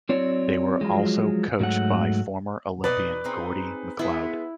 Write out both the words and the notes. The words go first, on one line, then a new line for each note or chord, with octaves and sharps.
They were also coach by former Olympian Gordie McLeod.
F#3 C4 E4 C#5 D5
F3 F#3 G#3
G#2 F#3 A3 F#5
B2 D#4 B4 D5 D#5
C4 D#4 G#4
G#3 B3 E4